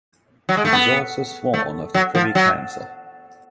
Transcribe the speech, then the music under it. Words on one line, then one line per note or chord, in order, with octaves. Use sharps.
He was also sworn of the Privy Council.
F#3
G#3
A3
B3
A3
F#3
F3
F#3